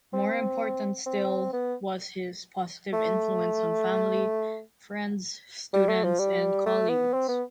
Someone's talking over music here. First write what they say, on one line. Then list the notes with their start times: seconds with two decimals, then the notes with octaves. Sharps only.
More important still was his positive influence on family, friends, students and colleagues.
0.13 C4
1.06 C4
1.53 B3
2.93 A3
5.73 G3
5.88 A3
6.04 F3
6.19 G3
6.66 A3
6.89 B3
7.13 C4
7.28 B3